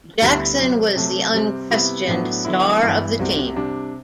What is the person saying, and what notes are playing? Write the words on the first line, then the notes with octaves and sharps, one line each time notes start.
Jackson was the unquestioned star of the team.
D2 D3 G3 B3 E4
C3 F#3 C4
C3 F#3 A3
C3 G3 C4
C3 G3 B3 E4
A2 F#3 B3 D4 F#4
D3 F#3 B3 E4
G2 E3 B3 E4
C2 C3 G3 C4 F#4
C3 G3 D4